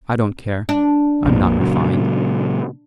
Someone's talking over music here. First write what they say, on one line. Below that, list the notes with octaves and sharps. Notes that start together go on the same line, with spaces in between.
I don't care; I'm not refined.
D4
A#1 F2 A#3
A#2 C#3 F#3